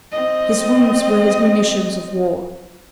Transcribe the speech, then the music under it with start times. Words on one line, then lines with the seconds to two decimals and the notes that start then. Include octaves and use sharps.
His wounds were his munitions of war.
0.12 C4 D#5